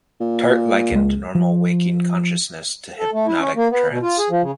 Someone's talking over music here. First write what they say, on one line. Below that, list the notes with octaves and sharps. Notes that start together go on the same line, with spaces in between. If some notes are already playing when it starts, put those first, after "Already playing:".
Tart likened normal waking consciousness to hypnotic trance.
A#2
C#2 G#3
F3
A4
A3
E4
C#4
A#3
B3
B2
F4
G#4
F3
C#3